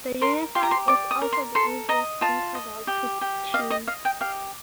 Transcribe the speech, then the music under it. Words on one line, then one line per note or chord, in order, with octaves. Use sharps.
The unison is also the easiest interval to tune.
A#4 C6
G4 C6
A#5
C6
D5 D6
D#6
A#4
C6
A4 C6
D#5 A#5
F4 A5
D#5
G4
G4
D#5 F5
D#5
D#5 F5
G5
G4 F5